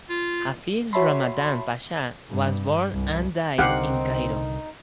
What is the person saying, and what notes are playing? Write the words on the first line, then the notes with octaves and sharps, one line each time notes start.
Hafiz Ramadan Pasha was born and died in Cairo.
F4
F#4 C#5 E5 A5 B5 C6
G2
C2
C2 D3 D#3 C4 D#4 G4 F5 F#5